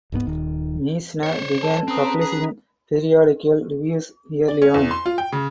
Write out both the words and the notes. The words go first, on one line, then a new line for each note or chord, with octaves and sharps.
Meissner began publishing periodical reviews early on.
D1 G#2 A#3 B3
D#1 D#3
C5 C#5
A4
C4 C#4 B4 A#5 D#6
G#4
D5
C#4
E2
C6
F4
G5
C#3